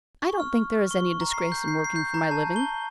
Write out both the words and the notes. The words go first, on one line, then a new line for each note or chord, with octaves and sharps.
I don't think there is any disgrace in working for my living.
C#6
F6
C#6
A#5
C7
G6
C7
C7
G6
A#5
A5
G7